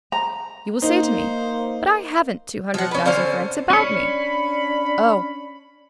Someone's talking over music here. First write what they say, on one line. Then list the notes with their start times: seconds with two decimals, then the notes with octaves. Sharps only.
You will say to me: 'But I haven't two hundred thousand francs about me.' Oh!
0.12 A#5
0.82 A#3 D#4 C5
2.74 F3 F#5
2.91 C#4 B4
3.06 D3 C#4 C5 F5
3.70 C#4 D4 C#5 B5